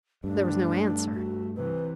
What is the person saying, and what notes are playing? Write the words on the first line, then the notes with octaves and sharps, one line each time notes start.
There was no answer.
G2 A3 D4
F#4
C3 E3 B4